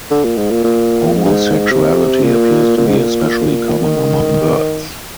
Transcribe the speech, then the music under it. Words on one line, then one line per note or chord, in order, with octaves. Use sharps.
Homosexuality appears to be especially common among birds.
D3
A#2
G#2
A#2
A#2
G#2
G2
G#2
C3
A#2
A#2
G#2
A#2
D#3